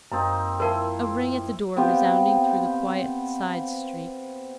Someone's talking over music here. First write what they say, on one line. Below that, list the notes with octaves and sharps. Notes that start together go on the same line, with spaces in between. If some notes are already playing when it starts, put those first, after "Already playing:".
A ring at the door, resounding through the quiet side street.
F#2 A#3 C4 D#4
F3 E4 A#4 A5 C6
B3 C4 G4 F5